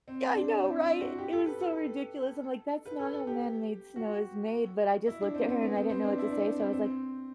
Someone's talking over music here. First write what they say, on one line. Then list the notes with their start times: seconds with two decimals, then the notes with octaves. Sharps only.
Yeah. I know. Right? It was so ridiculous. I'm like, "That's not how man-made snow is made," but I just looked at her and I didn't know what to say. So I was like,
0.08 C4
0.35 D4
0.64 C4
0.81 E4
1.01 F#4
1.18 G4
1.33 A4
1.46 B4
1.61 A4
2.86 B4
2.99 A4
3.13 A4
3.27 G4
3.96 F#4
5.07 E4
5.21 D4
5.34 C4
5.49 C4
5.62 B3
5.76 C4
5.90 C4
6.04 D4
6.18 E4
6.31 D4
6.45 C4
6.60 C4
6.73 C4